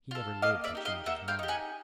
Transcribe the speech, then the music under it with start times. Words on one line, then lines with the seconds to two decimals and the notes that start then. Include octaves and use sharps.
He never lived to change his mind.
0.11 F4 A4
0.42 A#3 D#5 F5
0.64 D5 E5
0.75 D#4 G4
0.85 D#5 F5
1.06 A#3 E5 F#5
1.28 F5 G5
1.39 D#4 G4
1.48 F#5 G#5